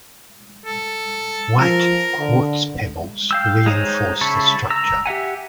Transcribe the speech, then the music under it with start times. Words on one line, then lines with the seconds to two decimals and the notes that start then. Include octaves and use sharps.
White quartz pebbles reinforce the structure.
0.66 A4
1.60 F3 A#4
2.19 D3
3.31 F5 G5 E6
3.66 G#3 D#4 C5 C#5
4.21 C#3 E4 A5 C#6
4.70 A#5 E6
5.06 G4 E5 F#5 G#5